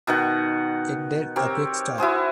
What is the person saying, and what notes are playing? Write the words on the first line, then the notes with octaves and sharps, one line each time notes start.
It did a quick stop.
B2 D#3 F#5
C4 G4 A#4 C#5
E4 F#4 G#4 C5